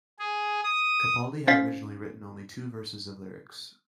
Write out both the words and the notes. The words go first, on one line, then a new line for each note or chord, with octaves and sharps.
Capaldi had originally written only two verses of lyrics.
G#4
D#6
C#4 C5 F5 A6 B6